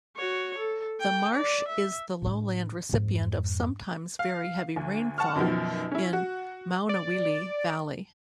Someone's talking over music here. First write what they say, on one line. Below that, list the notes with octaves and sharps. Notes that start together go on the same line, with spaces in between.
The marsh is the lowland recipient of sometimes very heavy rainfall in Maunawili Valley.
F#4 C#5
A4
G5
D5
E5
A2 D4
F2 G#2
F5
D2
F#5 A5 C#6 F6
F#2 B2 D#3 F3
C#4 E4
F#4
D5